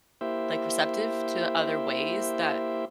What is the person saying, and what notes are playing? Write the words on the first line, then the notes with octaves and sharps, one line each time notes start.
like, receptive to other ways that
A#3 E4 G4 C5 E5